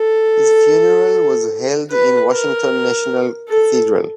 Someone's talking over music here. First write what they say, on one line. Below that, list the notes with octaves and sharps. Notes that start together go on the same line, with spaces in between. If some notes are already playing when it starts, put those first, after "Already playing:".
His funeral was held in Washington National Cathedral.
Already playing: A4
B4
A#4
A4